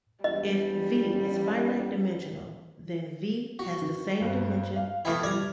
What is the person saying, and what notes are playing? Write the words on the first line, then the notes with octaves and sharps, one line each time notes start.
If "V" is finite-dimensional, then "V" has the same dimension as "V".
E1 G3 D#5
A1
F#4
D#3
B1 G2 C4
F5
A3 B3 E4 G5 A5 F6
G3 D5 A#5 G#6